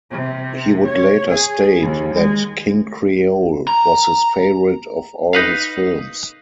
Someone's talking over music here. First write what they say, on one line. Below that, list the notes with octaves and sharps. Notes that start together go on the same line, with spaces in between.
He would later state that "King Creole" was his favorite of all his films.
C3
C#5
G#4
D#2
G#3
A#5
D#4 B4 F5